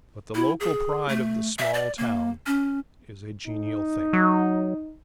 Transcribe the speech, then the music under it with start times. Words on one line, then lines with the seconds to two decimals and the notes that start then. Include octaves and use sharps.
But the local pride of the small town is a genial thing.
0.35 E4
0.60 G#4
1.09 A3
1.59 E5
1.74 D5
1.98 A#3
2.46 C#4
3.47 D#4
4.13 F#3